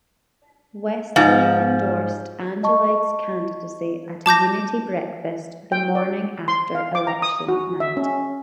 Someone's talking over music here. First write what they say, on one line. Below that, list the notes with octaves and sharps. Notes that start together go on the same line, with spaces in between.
Westly endorsed Angelides' candidacy at a unity breakfast the morning after election night.
G#2 F3
D#5 A5 C#6
A5 D6 G6 A#6
G5
D5
C6
F5
D6
A#5
D#6
F#4
E5
C#4